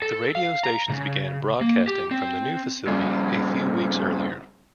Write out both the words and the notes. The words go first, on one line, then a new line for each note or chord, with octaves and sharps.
The radio stations began broadcasting from the new facility a few weeks earlier.
A4
F5
A#5
C#3
A#3
G4
C4
G2 C#3